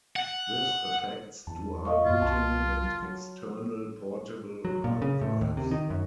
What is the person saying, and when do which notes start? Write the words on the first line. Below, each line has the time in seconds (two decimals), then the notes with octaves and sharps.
This affects dual-booting, and external portable hard drives.
0.16 F#5
1.47 E2 A5
1.85 D#5 F5 C#6
2.06 F#2 F4
2.22 C2 A5 C6
3.02 F#3
4.65 F#3
4.84 A#2
5.02 C#3
5.21 A2
5.41 D#2
5.57 C3
5.71 D#3
5.90 F#2